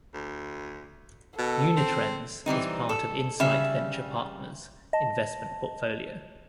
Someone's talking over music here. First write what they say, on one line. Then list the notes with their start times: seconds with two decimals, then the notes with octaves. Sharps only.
Unitrends is part of Insight Venture Partners investment portfolio.
0.14 D2
1.38 B2 A4
1.77 C4
2.46 E3 G3 C4 D#4
2.89 A4
3.40 C#3 G3 E5
4.93 D#5 A5